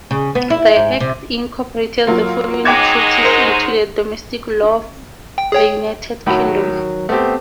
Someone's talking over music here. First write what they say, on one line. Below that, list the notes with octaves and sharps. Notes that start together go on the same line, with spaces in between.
The Act incorporated the following treaties into the domestic law of the United Kingdom.
C#3
B3
E4
G#2
C3
F#3 A#3 F4
F#3 G#3 D#4 G5 D6 G#6
A#4 C5 F#5
G5
G#4 C#5 G5
A2 D#3 F#3 F#4 B5
A3 B3 C4 G4